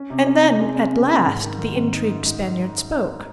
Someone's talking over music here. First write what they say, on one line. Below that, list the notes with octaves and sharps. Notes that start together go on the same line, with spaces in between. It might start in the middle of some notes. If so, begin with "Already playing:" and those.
And then, at last, the intrigued Spaniard spoke.
Already playing: C#4
C3
C#4
C3
G#3
C#4
C#3
C#3
G#2
D#3
D#3
G#2
D#4
F#2
D#4